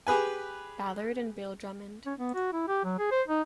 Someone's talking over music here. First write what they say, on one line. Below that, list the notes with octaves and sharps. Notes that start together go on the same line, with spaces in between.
Ballard and Bill Drummond.
G4 G#4 B4 G#5
C#4
B3
F#4
E4
G4
F#3
G#4
C5
D#4